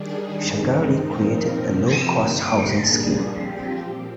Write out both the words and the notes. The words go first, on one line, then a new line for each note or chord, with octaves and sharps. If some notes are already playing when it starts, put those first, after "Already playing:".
Shagari created a low cost housing scheme.
Already playing: D#3 G3 D4 G#4
G2 D#3 G#3 C4 D#4
A#2 F3 C4 D#4 A#4
F2 C3 F3 C4 G4
G2 D3 G3 A#3 D#4
A#2 G3 D4 G#4
F3 C4 G4
A#2